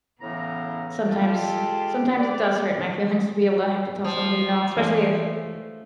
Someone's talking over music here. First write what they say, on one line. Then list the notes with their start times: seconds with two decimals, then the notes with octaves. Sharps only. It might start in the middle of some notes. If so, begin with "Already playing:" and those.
Sometimes sometimes it does hurt my feelings to be able to have to tell somebody no, especially
0.21 A2 C#3 E3 B3 A#5
1.08 G#3 F4 G4 A4
2.19 D5
4.04 F3
4.77 E3 G#3 A3 D4 C#5